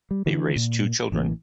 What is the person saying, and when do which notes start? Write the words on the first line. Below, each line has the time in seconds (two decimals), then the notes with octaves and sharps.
They raised two children.
0.11 G3
0.26 D3 E3
0.56 A#2
1.12 A1 E3 A#3